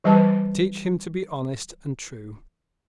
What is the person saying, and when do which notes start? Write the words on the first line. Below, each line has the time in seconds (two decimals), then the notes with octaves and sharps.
Teach him to be honest and true.
0.04 E3 G3 B4 A5